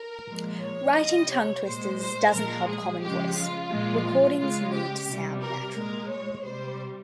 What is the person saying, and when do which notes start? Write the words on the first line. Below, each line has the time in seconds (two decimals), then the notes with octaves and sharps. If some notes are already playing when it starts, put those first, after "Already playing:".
Writing tongue twisters doesn't help Common Voice. Recordings need to sound natural.
Already playing: A#4
0.27 A#2 F3 G#3
0.61 C#5
0.95 C3 G3 D#5
1.30 C#5
1.64 A#2 G#3 C5
1.98 C5
2.32 A#2 F3 G#3 A#4
2.67 G#4
3.00 C#3 F3 G#3 G4
3.36 F4
3.69 A#2 F3 G#3
4.38 C#3 G#3 F4
4.72 G4
5.07 C3 G3
5.41 A#4
5.75 A#2 G#3 A#4
6.09 C#5
6.44 C3 G3 C5